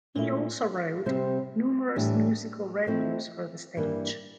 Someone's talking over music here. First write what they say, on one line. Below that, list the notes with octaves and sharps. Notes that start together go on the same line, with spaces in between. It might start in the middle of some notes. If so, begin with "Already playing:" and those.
He also wrote numerous musical revues for the stage.
A#2 A3 E4
C3 G3 C4 G4 C5
A2 E3 G3 D4 G4
F3 A3 C4 E4
G2 E3 G3 A#3 D4